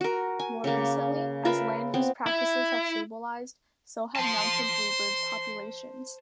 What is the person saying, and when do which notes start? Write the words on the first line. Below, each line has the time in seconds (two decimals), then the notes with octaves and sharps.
More recently, as land-use practices have stabilized, so have Mountain Bluebird populations.
0.01 F#4 A#4
0.39 G#5
0.64 C#3 A#3
1.45 F4 A#4 B4 E5
1.94 B3 C4
2.26 E4
4.16 C5 A5 C6